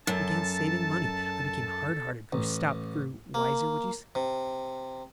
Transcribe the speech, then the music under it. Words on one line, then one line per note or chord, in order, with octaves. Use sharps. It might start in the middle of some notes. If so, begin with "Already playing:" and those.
I began saving money, I became hard-hearted, grew stout--grew wiser, would you say?
F#2 A4 A5
A1
A#3
C3